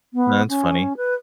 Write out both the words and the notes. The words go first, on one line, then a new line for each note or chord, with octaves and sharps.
That's funny.
B3
C#4
B4